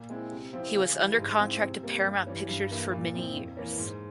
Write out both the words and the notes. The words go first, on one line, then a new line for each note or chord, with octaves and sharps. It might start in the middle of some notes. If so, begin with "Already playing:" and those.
He was under contract to Paramount Pictures for many years.
Already playing: A#2
G#3 C4 E4
C3
F3 C4 E4
C#3
E3 G3
G#2
F3 C4 E4
C3
G3 A#3
G2
E3 G3 C#4
G2
E3 A#3 E4
A#2
F3 C4 E4
F2
E3 A#3 C#4
G#2